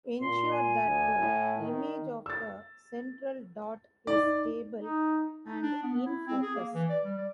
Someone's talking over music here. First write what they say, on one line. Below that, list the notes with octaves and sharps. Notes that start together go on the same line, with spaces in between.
Ensure that the image of the central dot is stable and in focus.
A#2 C6
G#5
D2
A2
D#3
E6 A6
D#4 D5
D#4
D#4
D4
B3
E4
C4
G#4
A#3
E3
D5
G3
D5